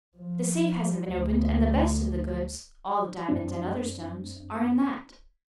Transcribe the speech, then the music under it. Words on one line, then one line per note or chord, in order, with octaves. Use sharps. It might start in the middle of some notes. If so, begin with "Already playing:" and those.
The safe hasn't been opened, and the best of the goods--all the diamonds and other stones--are in that.
F3
D2
F#2 C4 D4